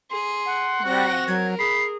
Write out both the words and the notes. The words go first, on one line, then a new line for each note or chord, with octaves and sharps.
Right, right.
G#4 C6
F#5
C4 F#4 A#6
F#3 A#4 G#6
G#4 B5 C7